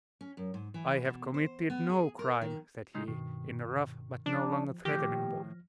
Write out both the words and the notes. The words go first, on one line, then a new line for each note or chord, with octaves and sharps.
"I have committed no crime," said he, in a rough, but no longer threatening voice.
C#4
F#2
G#2
E3
B2
C5
B3
G#4
A#4
D#3
C#3 G#3 D#4
G2 B2 D#3
F3 D4
A2 D#3 F3 G4 F6 A#6